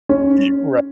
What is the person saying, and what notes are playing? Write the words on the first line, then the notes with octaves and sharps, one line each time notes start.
Ye right.
C#4